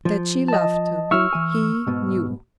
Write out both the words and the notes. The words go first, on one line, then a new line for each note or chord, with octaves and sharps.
That she loved him, he knew.
F3
D#5 A5
F#3 E4 E5 C#6 E6 F6
E3 G#5
G#2 B2